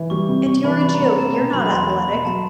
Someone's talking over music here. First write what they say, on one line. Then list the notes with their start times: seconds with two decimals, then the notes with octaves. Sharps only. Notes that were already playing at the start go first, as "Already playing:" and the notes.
And you are a Jew, you're not athletic.
Already playing: E3
0.10 G3 C#6
0.29 C3
0.46 C3 C#6
0.64 E3 B5
0.82 G3 B5
0.95 A#5
0.99 C3
1.06 A#5
1.18 A#3 A5
1.35 B2 A#5
1.53 F#3 B5
1.66 B5
1.71 E2 C6
1.89 A#3 B5
2.07 B2
2.25 F#3 A5